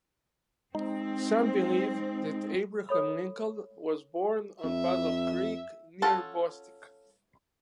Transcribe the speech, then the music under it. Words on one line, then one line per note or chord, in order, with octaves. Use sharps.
Some believe that Abraham Lincoln was born on Puzzle Creek near Bostic.
G#3 C4 D#4
A4 C#5 B5
F2 E5
C#4 F4 A4 F#5 A5